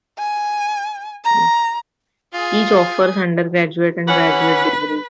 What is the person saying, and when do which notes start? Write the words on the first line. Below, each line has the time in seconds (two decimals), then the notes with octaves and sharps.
Each offers undergraduate and graduate degrees.
0.19 G#5
1.24 A#5
2.34 F4 G#4 G#5
4.08 E3 C#4 B4 F#5